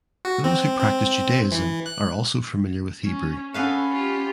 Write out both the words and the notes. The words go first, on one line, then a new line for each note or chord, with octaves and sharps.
Those who practice Judaism are also familiar with Hebrew.
F#4
C4
C4
E3
F#6
C#4
B3 C#4 A4 B4 F5
F4 G4